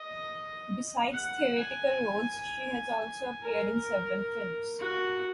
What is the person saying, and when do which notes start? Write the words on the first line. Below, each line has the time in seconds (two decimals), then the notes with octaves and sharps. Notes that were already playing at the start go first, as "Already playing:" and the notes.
Besides theatrical roles she has also appeared in several films.
Already playing: D#5
1.13 F#5
1.58 G#5
3.42 A#4
4.80 F#4